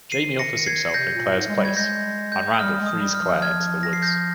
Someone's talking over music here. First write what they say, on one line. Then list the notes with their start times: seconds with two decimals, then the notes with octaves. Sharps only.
Jamie offers himself in Claire's place, and Randall frees Claire into the woods.
0.11 D#3 C7 D#7
0.39 A#6 C#7
0.57 C#7
0.66 G#6 C7
0.90 C7
0.94 C3 G6 A#6
1.15 A#2
1.35 G#2
1.48 G#3
1.56 G3
1.65 G#6
1.77 G#3 G6 A#6
2.32 G6
2.54 D#6
2.59 G3 F6
2.80 G#3
2.86 D#6
2.92 F3
3.00 G3
3.15 F6
3.21 F3
3.42 F6 G#6
3.83 A#6
3.93 C7
4.02 G6 A#6